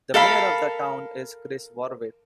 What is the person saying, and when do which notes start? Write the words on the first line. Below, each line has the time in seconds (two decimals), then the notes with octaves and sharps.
The mayor of the town is Chris Warwick.
0.14 A4 A#4 F5 B5